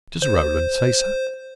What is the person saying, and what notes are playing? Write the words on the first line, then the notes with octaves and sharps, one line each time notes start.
"Does Rowland say so?"
C5